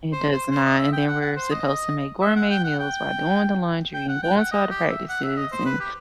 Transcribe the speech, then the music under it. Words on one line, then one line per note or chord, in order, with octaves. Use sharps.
It does not, and then we're supposed to make gourmet meals, while doing the laundry, and going to all the practices, and,
C5
C5
C5
D#5
E5
G5
F#5
F#5
C5
D#5
E5
F#5
G5
F#5
G5
G5
F#5
G5
F#5
D#5
G4
E5
F#5
E5
D#5
C5
B4
G4